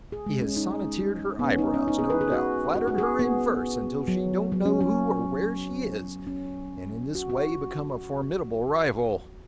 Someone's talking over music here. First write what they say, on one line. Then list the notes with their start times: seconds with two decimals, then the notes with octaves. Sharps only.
He has sonneteered her eyebrows, no doubt--flattered her in verse until she don't know who or where she is, and in this way become a formidable rival.
0.12 G#4
0.26 G#3
0.41 C#4
0.57 D#4
1.39 B3
1.44 C#4
1.58 D#4
1.74 C#4
1.88 D#4
1.98 G#4
2.10 B4
2.21 G#4
2.32 F#4
2.75 F#4
2.88 F#4
2.98 G#4
3.19 B3
4.08 F#3
4.52 F#3
4.65 C#4
4.81 C#4
6.27 C#4
7.15 F#4
7.30 F#4